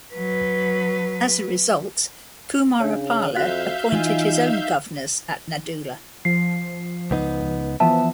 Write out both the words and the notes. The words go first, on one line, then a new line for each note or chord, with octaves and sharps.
As a result, Kumarapala appointed his own governors at Naddula.
F#3 B4
C#3 D4 C#5
F2 F#4 E5 F5 F#6 G6 B6
E3 D#4 F4 G#5
F3 C7
C#2 B3 D#4
E3 F3 B3 E5 A5